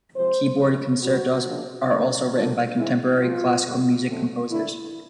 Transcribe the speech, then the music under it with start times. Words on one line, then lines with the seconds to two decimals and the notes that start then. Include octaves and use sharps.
Keyboard concertos are also written by contemporary classical music composers.
0.15 C3 F3 G#3 C5
0.58 F2 C3 D#3
1.02 E2 B2 G3 B3 F#4
1.46 C#3 F3 A#3 D4
1.89 G2 D3 G3 A#3 C#4
2.33 D3 F3 A#3
2.76 G#2 E3 G#3 C4 E4
3.20 A2 F3 A3 C4 F4
3.63 F2 D3 G3 A#3
4.06 F2 D3 F#3 A3 C4
4.50 D2 D3 F3 E4